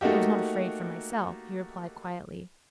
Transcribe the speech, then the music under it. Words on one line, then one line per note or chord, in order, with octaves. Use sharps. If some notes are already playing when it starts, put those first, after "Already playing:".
"I was not afraid for myself," he replied quietly.
A3 A#3 D#4 F#4 G4